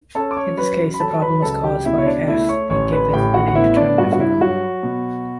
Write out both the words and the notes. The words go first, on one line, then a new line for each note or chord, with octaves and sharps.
In this case the problem was caused by "f" being given an indeterminate form.
C#4 A4 A5
D6
C#5 C#6
F#3 B4 B5
B5
F#3 A4 A5
B4 B5
C#2 A4 A5
G4 G5
B2 E4 E5
C#5
D4 D5
A3 E4 E5
C#5 C#6
A1 C#5 C#6
B4 B5
A2 G4 G5
F#4 F#5
F#5
B3 E4 E5
D4 D5
G2 F#4
F#4
E4
F#3 F#4
B2